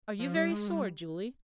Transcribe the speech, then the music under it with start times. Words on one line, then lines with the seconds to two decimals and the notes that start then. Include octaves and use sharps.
"Are you very sore, Julie?"
0.19 F3
0.36 G3
0.52 G#3
0.68 G3